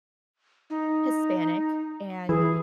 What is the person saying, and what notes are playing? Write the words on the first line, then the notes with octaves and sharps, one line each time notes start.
Hispanic, and
D#4
E3 G#4